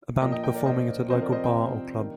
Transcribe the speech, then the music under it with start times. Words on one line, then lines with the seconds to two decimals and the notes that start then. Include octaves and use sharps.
A band performing at a local bar or club.
0.21 A#2 F3 A#3 D4 D#5 G5
0.32 D#5 G5
0.44 D#5 G5
0.54 A#4 D5
0.66 C5 D#5
1.10 C3 F3 C4 C5 D#5
1.21 A#4 D5
1.32 C5 D#5
1.44 D#5 G5
1.99 D#3 G3 A#3 D4